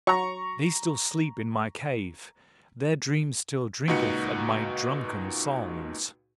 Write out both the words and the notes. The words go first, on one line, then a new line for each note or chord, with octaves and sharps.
They still sleep in my cave; their dream still drinketh at my drunken songs.
F#3 A#5 C#6
C#2 A#2 D#4 F#4 B4 C#7